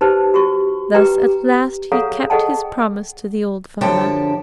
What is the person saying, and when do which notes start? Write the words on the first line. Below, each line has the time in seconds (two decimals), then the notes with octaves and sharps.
Thus at last he kept his promise to the old farmer.
0.01 D#4 G4 B4 C5 A5
0.34 F#4 G4 C#6
0.94 G4 B4 G5 A#5
1.92 G#4 A4 C#5 F5 F#5 A#5
2.30 G#4 A4 D#5 F#5 G5 A5
3.81 F#2 D3 F3 G4 G5 A5